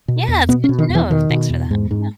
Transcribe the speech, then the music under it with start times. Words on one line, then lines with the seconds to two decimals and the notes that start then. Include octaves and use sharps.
Yeah. It's good to know. Thanks for that. Yeah.
0.08 B2
0.28 E2
0.49 B2 B3
0.64 C#4
0.69 B2
0.79 D#3
0.89 E2
0.95 E3
1.10 B2 D#3
1.30 B2
1.50 E2
1.71 G#2
1.91 G#2